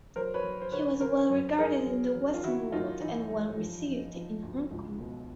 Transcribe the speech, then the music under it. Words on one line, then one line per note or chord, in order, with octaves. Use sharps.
He was well regarded in the Western world and well received in Hong Kong.
F#3 A#4 C5
B4 C#5
F#3
C5
D3 B4 C#5
D3 A#4 C5
F#2
F#3 G#4 A#4
F#3
F#3
F4
D#3 E4 F#4
F#2 D#4 F4
E3 D#4
G2
F3
F3
F3
D2
C#2
B2